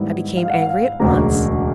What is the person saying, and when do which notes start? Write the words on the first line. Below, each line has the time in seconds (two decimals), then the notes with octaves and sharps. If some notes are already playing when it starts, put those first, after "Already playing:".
I became angry at once.
Already playing: G#2 D#3 G3 B3 E4
0.37 F5
0.50 F#5
0.62 F5
1.00 E1 D2 C#3 F#3 A#3 A#5